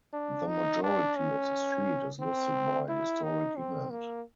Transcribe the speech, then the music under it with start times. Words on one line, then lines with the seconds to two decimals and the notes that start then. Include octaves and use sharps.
The majority of the street is listed by Historic England.
0.14 D4
0.48 D#4
0.83 D4
1.17 C#4
2.20 C4
2.89 E4
3.23 D#4
3.57 C4
3.91 A#3